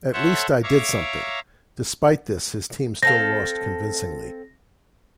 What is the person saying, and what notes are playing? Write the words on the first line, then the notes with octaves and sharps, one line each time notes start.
At least I did something.' Despite this his team still lost convincingly.
A4 C5 C#5 E5 F#5 C#6
C#5 E5 F5 A#5 C#6 D6
C4 A4 F5 A#6